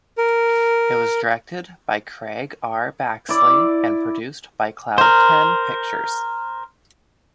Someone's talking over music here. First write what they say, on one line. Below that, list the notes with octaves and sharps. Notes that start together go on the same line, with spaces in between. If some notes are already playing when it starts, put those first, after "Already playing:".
It was directed by Craig R. Baxley and produced by Cloud Ten Pictures.
A#4
E4 D5
A#4 C5